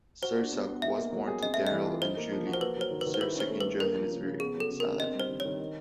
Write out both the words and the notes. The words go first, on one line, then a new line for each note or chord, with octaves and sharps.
Sursok was born to Daryl and Julie Sursok in Johannesburg, South Africa.
F#4 C5
D4
B3
B3
D#4 E5
A#3
F#3
G#4
C4 D#5
A3 E5
E3 D#5
F4
D#4 C5
A#3
F3
F#4
C5
A#3 B4
F#3 C5
D#3
B4
D#3
C5
E4 B4
C#4 C5
A3
A3 B4
A#3 A#4
F3
C#3
C#3
B3 G#4
F#3 A4
C#3
D4 A#4
C4 D#5
G3 C5
D#3
C#5
D#3
D#4